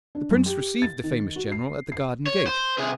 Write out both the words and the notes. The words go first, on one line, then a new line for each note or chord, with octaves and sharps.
The prince received the famous general at the garden gate.
D4
F#2
G4
A6
D#3
F#4
C7
C7
C#5
C5
C3 G#4